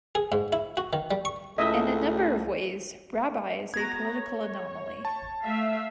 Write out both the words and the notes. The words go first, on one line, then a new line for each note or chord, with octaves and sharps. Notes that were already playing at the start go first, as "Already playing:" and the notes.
In a number of ways, Rabi is a political anomaly.
G#4
G#2
E4
F#4
D#3
G3
C#6
C#2 A2 A4 D#5 E5
B3 F#4 A#5 G#6 A#6
C#5
A5
A3 E5 F5